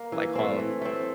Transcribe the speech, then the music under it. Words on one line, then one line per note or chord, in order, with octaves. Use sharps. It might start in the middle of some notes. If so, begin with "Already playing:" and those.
like home
Already playing: A#3
E3
A3 C4
E3
A3 C4